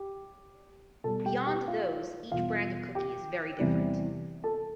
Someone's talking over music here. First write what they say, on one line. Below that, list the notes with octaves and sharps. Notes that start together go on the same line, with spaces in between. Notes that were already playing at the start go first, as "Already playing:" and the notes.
Beyond those, each brand of cookie is very different.
Already playing: G4
B2 G3 A4 A5
G4 G5
G4 G5
F4 F5
E2 B2 G3 F4 F5
G4 G5
E2 C3 E3 G3
A4 A5